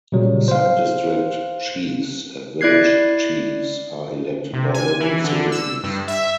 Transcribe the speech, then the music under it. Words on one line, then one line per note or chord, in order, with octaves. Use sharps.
Subdistrict chiefs and village chiefs are elected by local citizens.
A#2 C#3 F#3 G3
C5 F5
E4 D5 F#6 G#6 C7
C3
G#5
E3
D3
E6
G2
E5